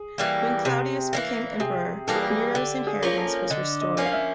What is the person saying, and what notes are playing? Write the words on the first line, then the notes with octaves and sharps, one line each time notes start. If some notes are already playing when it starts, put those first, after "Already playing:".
When Claudius became Emperor, Nero's inheritance was restored.
Already playing: G#4
E3 G3 A#3
C3
E3 G3 A#3
C3 G#4
E3 G3 A#3 A4
G#4
G4
G#4
D3 G4
G#4
F3 A#3 C#4
A4
D3 D#5
D#5
F3 A#3 C#4
F5
E5